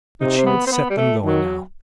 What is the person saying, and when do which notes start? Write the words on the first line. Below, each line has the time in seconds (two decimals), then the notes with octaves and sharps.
But she would set them going now.
0.21 C3 D#4
0.38 C4
0.46 B3
0.67 C4
0.72 B3
0.90 G3
0.98 A3
1.24 D#3 F#3